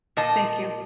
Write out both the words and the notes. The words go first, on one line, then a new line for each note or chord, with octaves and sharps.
Thank you.
A#2 D#5 A5